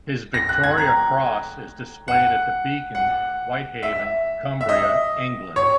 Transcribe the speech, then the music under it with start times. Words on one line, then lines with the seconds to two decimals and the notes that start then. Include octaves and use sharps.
His Victoria Cross is displayed at The Beacon, Whitehaven, Cumbria, England.
0.34 A#6
0.49 F#6
0.64 G#6
0.78 A#5
2.08 F#5
2.95 F#5
3.83 E5
4.61 E5
4.69 D#5
5.56 C#5